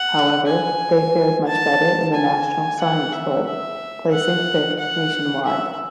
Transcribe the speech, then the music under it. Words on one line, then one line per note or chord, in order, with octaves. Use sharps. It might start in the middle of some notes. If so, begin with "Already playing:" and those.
However, they fared much better in the National Science Bowl, placing fifth nationwide.
Already playing: F#5
G#5
A5
G#5
F#5
E5
E5
F#5
F#5
E5